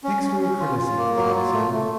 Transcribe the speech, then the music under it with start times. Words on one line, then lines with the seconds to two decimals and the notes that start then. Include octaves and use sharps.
'Thanks for your courtesy,' replied Simon.
0.04 C#4
0.23 C#4
0.41 C#4
0.60 F4
0.79 F4
0.97 A#3
1.16 F#3
1.35 F4
1.54 A3
1.72 A3